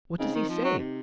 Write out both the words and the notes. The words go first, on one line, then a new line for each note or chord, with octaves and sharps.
What does he say?
C#3 C4 D#4
D#3
F3
F#3
C3